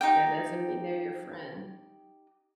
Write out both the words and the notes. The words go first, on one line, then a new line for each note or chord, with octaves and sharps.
that doesn't mean they're your friend.
D#4 G4 G5